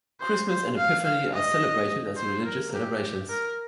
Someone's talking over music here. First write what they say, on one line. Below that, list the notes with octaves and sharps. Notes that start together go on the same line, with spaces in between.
Christmas and Epiphany are celebrated as religious celebrations.
C5
C5
F5
F5
D#5
C5
A#4
G4
A#4